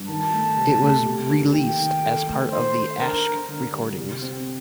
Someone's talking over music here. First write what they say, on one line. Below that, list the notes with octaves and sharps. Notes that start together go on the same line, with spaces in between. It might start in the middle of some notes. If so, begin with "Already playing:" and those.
It was released as part of "The Asch Recordings".
Already playing: G2
D#3 A5
A3
C3
A3
G4
A#3
D#3 G5
D#3
A4
A3
D#3 C5
A4
D4 A#4
D4
D3
G3
C3
C4